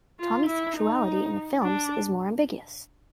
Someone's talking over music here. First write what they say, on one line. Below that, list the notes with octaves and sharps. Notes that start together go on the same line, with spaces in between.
Tomie's sexuality in the films is more ambiguous.
F4
E4
D#4
D4